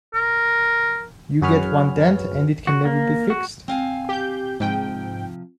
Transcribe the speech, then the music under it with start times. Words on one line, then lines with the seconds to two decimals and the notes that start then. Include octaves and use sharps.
You get one dent and it can never be fixed?
0.14 A#4
1.42 F#2 F#4 G#4 B4 C#5 F6
2.67 F#4
2.85 A#3
3.30 F#4
3.68 C4 F5 G#5
4.09 G4 G6
4.60 G#2 C3 F3 G5